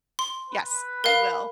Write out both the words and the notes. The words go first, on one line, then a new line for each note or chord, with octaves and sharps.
Yes, I will.
C6
B4
A#4 F5